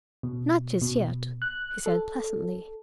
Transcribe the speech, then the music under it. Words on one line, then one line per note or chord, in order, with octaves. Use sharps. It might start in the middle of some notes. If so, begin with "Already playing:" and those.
"Not just yet," he said pleasantly.
B2
B2
F#6
A4